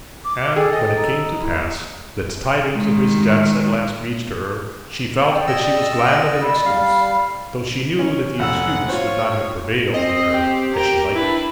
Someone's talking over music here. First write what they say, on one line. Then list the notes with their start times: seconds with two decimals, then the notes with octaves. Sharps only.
And when it came to pass that tidings of his debts at last reached her, she felt that she was glad of an excuse, though she knew that the excuse would not have prevailed with her had she liked him.
0.25 D6
0.56 G#4 A4 G5
0.73 D#5
0.97 A#5
1.39 E4
2.73 D#3 G#3
5.27 D5 G5
5.47 D#5 E6
6.41 B5
6.65 G3 F5
7.99 C#4
8.40 F1 F#5 E6
8.89 F4 C5 C#5
9.94 C4 D#5
10.34 G4
10.73 A#4 G5
11.15 D4 E4 B4